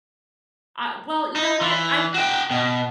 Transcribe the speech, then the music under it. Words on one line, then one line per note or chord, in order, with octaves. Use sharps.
Ah, well, you know what? I think
D#4
E3
F#4 G5
B2